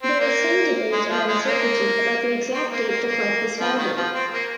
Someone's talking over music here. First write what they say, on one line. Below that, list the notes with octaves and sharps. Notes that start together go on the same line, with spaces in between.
There is some debate and uncertainty about the exact date the club was founded.
C4
A#3
G#3
F3
G#3
A#3
C4
A#3
A#3
A#3
F3
D#3
F3
C4
A#3